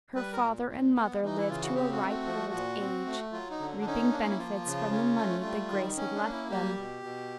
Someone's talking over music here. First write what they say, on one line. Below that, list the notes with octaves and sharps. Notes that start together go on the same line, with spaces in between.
Her father and mother lived to a ripe old age, reaping benefits from the money that Grace had left them.
G3 B4
A#4
A#2
A#2
B3
E3 D#4
E4
C#3 F4
F#4
C4 G4
F#4
A3
F#4
F3
A#2
C4
A3
F#3 F4
D#4
D3
D4
C#4 D#4
A#3 D4
D#4
E4
F3 F4
C#3
C#4
A3
G3
D#3
C#4
D4
A#3
E4
G3 G4
B2
B2